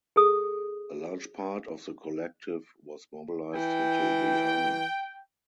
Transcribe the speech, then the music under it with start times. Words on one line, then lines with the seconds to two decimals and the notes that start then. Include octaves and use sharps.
A large part of the collective was mobilized into the army.
0.16 G#4 A4 D#6
3.54 E3 G5